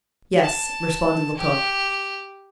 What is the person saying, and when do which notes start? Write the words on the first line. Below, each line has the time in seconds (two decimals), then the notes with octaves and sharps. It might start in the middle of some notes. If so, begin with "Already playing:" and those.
"Yes," responded Lecoq.
0.43 A5
1.38 G4